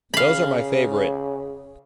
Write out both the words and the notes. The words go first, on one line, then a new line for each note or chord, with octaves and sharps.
Those are my favorite.
C#3 F5 B5